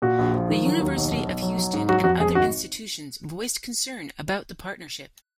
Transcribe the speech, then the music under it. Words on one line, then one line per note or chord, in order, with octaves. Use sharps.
The University of Houston and other institutions voiced concern about the partnership.
A#2 F#4
A#1
F3
D#3
F#3
D#2
B1
B1
B1
F#3
F#3
G#2
F#3 F#4
F2 F#4
F2 G#4
G#1 F#4